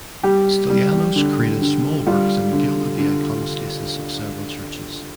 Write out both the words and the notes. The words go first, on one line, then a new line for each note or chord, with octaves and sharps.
Stylianos created small works and gilded the iconostasis of several churches.
G3 G4
G3
D3
D3
G3 F4
D3
D3